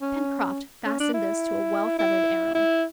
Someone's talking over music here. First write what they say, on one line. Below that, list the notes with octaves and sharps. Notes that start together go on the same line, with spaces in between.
Pencroft fastened this to a well-feathered arrow.
C#4
C#4
D4
E4
E4
E4